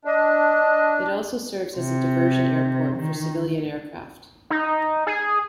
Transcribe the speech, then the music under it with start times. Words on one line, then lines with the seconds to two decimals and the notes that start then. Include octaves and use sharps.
It also serves as a diversion airport for civilian aircraft.
0.05 D4 D#5
1.77 C3
2.96 D#3
4.50 D#4
5.07 G#4